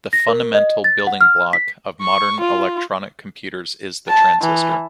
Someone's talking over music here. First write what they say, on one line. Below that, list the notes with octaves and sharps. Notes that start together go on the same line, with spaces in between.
The fundamental building block of modern electronic computers is the transistor.
A#6
A#4
D#5
A6
F#5
F6
B6
C#6
F4
A5
E3